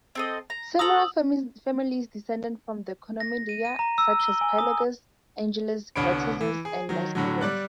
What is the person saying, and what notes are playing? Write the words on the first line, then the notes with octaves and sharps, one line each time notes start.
Several families descended from the Komnenodoukai, such as Palaiologos, Angelos, Vatatzes and Laskaris.
C4 A4 D#5
A#5
A4 C5 A#5 D#6 E6 F#7
A#6
D#7
D#7
A#5
E6
G7
G#5
D#6
C2 D3 B3 C#5 B5 D7
E3
G#4
D#3 F#3
A2 D3 F#3
G3 D5 F#6